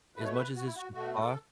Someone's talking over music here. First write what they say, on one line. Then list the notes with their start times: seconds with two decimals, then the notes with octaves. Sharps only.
As much as it's you talk,
0.16 B2 A3 B4
0.24 C#5
0.32 B4
0.55 F#4
0.65 E4
0.75 F#4
0.93 B2 A3 F#4
1.14 F#4
1.20 A4